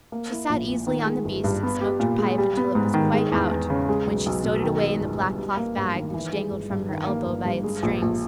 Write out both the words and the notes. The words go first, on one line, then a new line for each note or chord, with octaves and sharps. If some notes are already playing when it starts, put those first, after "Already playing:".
She sat easily on the beast and smoked her pipe until it was quite out, when she stowed it away in the black cloth bag, which dangled from her elbow by its strings.
A#3
E4
A#1
A#2
D#3
G#3
G1
G2
B3
G4
A#2
G#3
G3
B3
G#2
D#3
G#3
E2
E2
C#3
G#3
B1
B1
B2
D#3
G#3
G1
G2
G3
A#3
G2
D#3
E3
G#3
G1
G2
D#3
A#3
G1
G2
G#3
A#1
A#1